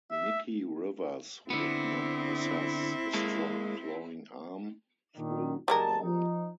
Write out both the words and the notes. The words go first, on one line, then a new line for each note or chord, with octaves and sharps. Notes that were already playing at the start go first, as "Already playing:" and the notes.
Mickey Rivers, who did not possess a strong throwing arm, threw home.
E5
D3 B3 C4 E4
G#3 A#3 A4
A#2 D#3 D4
F#1 G3 G#3 A#4 A5
F3 D#4